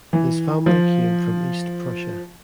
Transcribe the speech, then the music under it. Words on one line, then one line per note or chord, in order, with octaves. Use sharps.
His family came from East Prussia.
E3
F3